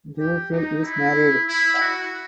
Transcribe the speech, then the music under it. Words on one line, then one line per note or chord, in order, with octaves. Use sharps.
Duffield is married.
G4
D#4
E4
E4
F#4